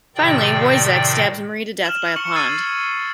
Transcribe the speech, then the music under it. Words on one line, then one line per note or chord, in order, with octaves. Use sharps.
Finally, Woyzeck stabs Marie to death by a pond.
A2 C3 D#3 D5 G5
F6 E7 F#7
C#6 C#7 F#7
E6 G#6 A6 C7 D#7 E7